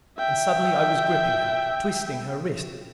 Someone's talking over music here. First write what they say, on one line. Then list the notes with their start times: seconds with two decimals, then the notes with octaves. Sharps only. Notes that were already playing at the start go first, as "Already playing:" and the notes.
And suddenly I was gripping her, twisting her wrist.
0.19 E5 G5